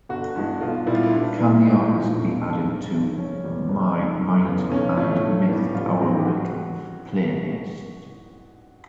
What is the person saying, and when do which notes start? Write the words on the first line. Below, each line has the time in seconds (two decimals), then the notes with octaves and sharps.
Can the artist be added to my Might and Myth Power Metal playlist?
0.09 G1 F#4
0.36 G2 E3 G#3
0.60 B1 F4
0.86 A#2 G3 B3 E4
0.94 F4
1.03 E4
1.12 G2 D4
1.38 E3 G3 B3 E4
1.63 A#1 D#4
1.73 E4
1.82 D#4
1.89 A#2 F3
2.14 E1
2.40 D#2 D#3
2.66 G#1
2.92 G2 D#3
3.17 F#1 C#4
3.44 E2 B2 G3
3.68 F#1
3.94 F#2 D#3
4.20 F1
4.45 E2 C#3
4.71 B1 C#4
4.97 A2 F3 A3 C#4
5.23 G2
5.49 E3 G3 B3
5.74 A1 F4
5.99 G#2 E3 G#3 C4
6.17 G4
6.25 F#4